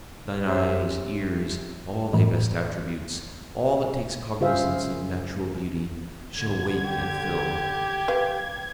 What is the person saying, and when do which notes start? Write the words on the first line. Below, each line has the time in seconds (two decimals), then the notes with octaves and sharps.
Thine eyes, ears--all thy best attributes--all that takes cognizance of natural beauty, Shall wake and fill.
0.47 C#4 G4 G#4 C5 E5
2.13 A2 E3
4.40 C#3 F4 G#4 C5 E5 F5
6.33 D3 G#6
6.83 G4 G5
8.08 B4 F5